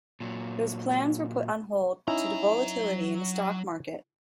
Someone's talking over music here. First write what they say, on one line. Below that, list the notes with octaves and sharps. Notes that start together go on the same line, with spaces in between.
Those plans were put on hold due to volatility in the stock market.
A#2 F#3
F#3 C#4 D#4 E4 A#5